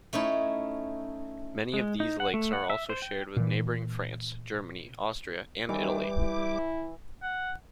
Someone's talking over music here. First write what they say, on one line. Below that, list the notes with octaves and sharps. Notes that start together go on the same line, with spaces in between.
Many of these lakes are also shared with neighboring France, Germany, Austria, and Italy.
A3 C#4 D#4 E4
G#3
D#4
F#5
A3
F#5
E5
C5
G5
A#2 E3
D#3 E3 G3 D6
E4
F#5